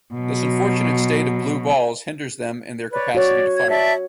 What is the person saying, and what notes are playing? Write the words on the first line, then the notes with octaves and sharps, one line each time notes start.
This unfortunate state of "blue balls" hinders them in their capacity to fight.
B2 F#3
B4 C#5 D5
F#4 C#5 D5
G#6
D5 E5 A5